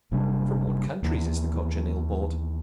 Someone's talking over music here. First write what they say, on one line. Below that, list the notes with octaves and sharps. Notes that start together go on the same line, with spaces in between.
From what countries is the Cochineal brought?
F#1 C3 G3 D4
D#2 E3